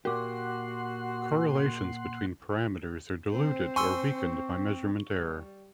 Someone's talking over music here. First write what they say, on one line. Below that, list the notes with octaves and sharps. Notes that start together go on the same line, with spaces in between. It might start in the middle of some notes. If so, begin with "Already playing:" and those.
Correlations between parameters are diluted or weakened by measurement error.
A#2 F#4 G4 A#4 F#5 C6 D6
C4 C5
G#5 C6 C#6 E6
G3